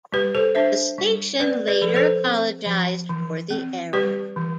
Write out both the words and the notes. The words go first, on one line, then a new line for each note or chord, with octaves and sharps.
The station later apologized for the error.
G3 G4 B4
A4 C5
D4 C5 E5
G3
C4 B4 D5
B4 D5
F3 A4
B4
A4 C5
C4
F3
E3
C4
G3 G4 B4
E3